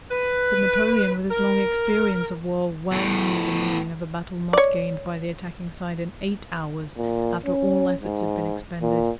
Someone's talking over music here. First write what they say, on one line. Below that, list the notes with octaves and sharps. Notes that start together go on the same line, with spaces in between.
But Napoleon with his long experience of war well knew the meaning of a battle not gained by the attacking side in eight hours, after all efforts had been expended.
B4
A#4
E2 A2
C#5 D5
A#2
C#4
G#2
A#2